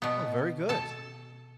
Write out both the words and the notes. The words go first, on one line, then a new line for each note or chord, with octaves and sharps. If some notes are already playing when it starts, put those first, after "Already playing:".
Oh, very good.
B2 B3
A4 A5